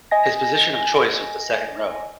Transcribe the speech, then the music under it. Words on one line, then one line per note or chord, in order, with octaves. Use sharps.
His position of choice was the second row.
D#5 G#5 A#6